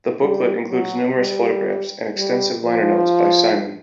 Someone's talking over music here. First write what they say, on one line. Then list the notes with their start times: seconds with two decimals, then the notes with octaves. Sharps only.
The booklet includes numerous photographs and extensive liner notes by Simon.
0.22 G3
0.70 F#3
1.18 G3
2.16 G3
2.65 F3